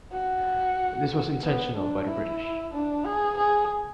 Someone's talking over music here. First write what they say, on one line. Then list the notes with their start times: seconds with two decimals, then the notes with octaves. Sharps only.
This was intentional by the British.
0.12 F#4
1.42 B3
1.76 D4
2.08 E4
2.74 D4
3.05 G#4
3.38 G#4